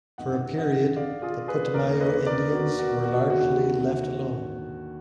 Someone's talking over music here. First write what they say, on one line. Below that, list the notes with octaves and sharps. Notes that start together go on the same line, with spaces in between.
For a period, the Putumayo Indians were largely left alone.
G#1 F#2 D#3 D#5 F#5
D#5 F#5
D5 F5
F4 G#4
G#4 B4
D#2 D3 A#4 D5
B4 D#5
A#4 D5
F#4 A#4
F#4 A#4
F#4
D#2 D3 F#4